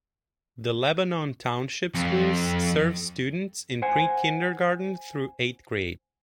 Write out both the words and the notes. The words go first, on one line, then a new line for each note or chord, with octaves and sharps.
The Lebanon Township Schools serves students in pre-kindergarten through eighth grade.
F2
C5 F#5 G#5